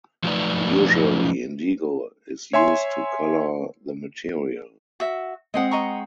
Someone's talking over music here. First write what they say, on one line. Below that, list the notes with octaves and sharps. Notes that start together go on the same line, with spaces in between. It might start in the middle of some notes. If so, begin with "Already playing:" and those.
Usually indigo is used to colour the material.
F3 F#3 A3 D#4 B4 D5
C#5 E5 G#5 C6
F#4 E5
G#3 C4 D#5 F#5
D#5 A#5 C#6